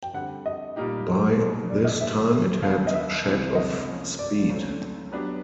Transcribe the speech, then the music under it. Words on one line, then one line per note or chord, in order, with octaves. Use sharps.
By this time it had shed of speed.
G5
D3 G3 C4 F#5
D#5
A#2 G3 A#3 D#4 G4
B2 G3 B3 D#4 G#4
D5
D#5
F#3 A3 D4 G4 B4 E5
D#2 C#3 F#3 B3 F5
D#5
E5
C2 C3 E3 G#3 C4
D#5
F3 A#3 C#4 F4
D5
C#2 C#3 F#3 A3 C4
F#3 B3 D4 G4